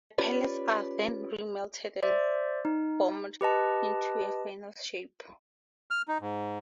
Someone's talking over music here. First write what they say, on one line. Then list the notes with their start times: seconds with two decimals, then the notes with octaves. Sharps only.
The pellets are then re-melted and formed into the final shape.
0.18 C#4 F4 G4 B4 C#5 D5
2.03 C5 D5 E5
2.65 D#4
3.41 G4 B4 D#5 A5
5.91 F6
6.08 D#4
6.21 G#2